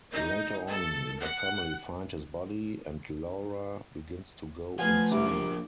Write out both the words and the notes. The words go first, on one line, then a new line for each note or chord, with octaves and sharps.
Later on, the family find his body, and Laura begins to go insane.
D#4
A4
F#5
F3 A3 B4 F5 F#5 G#5
G3 D4 E4 G4 D6
F3 A#3 D4